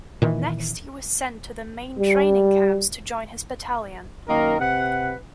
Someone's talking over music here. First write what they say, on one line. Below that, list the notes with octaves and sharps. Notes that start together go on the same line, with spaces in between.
Next he was sent to the main training camps to join his battalion.
A#2 D#3 E3
G3
F#2 D#3 A#3 A#4
C3 B4 F#5